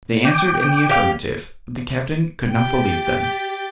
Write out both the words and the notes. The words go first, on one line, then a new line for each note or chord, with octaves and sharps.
They answered in the affirmative, but the captain could not believe them.
G5 D6
G4 F5
G4 G5 A6 B6